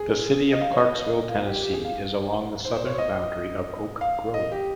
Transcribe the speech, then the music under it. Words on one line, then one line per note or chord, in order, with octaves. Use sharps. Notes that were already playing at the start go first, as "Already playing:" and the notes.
The city of Clarksville, Tennessee, is along the southern boundary of Oak Grove.
Already playing: G#4
D#5
F5
C#5
D#5
D#5
F4
G4
G4
G#4
F5
C5
C5
C#5
D#5
F5
D#5
G4